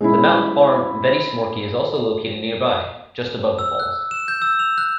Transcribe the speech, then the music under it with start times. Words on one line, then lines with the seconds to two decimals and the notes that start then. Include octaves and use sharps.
The mountain farm Vettismorki is also located nearby, just above the falls.
0.01 G#3 C#4 E4
3.59 E6
3.80 F#6
4.11 E7
4.28 G6
4.42 E6
4.59 F7
4.78 F#6